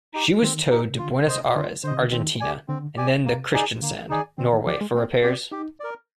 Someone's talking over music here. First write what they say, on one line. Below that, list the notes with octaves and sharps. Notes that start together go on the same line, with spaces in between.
She was towed to Buenos Aires, Argentina and then to Kristiansand, Norway for repairs.
D#4 G4
D#3 C4
D#4 G4
C3
D3 F4
C3 C5 D#5
D3 F4
C3 D3 C5 D#5
D3
D#3 C4
G4 D5 G#5
D3 C4
G4 D5 G#5
C3 A#3
D#4 G#4 D5 G#5
D3 A#3
D#3 D#4 G#4 D5 G#5
D3 C4
D#3
F3 G4 D5
G#3
A#3 C4
C4 G4 D5
D#4 G4
A#4 D5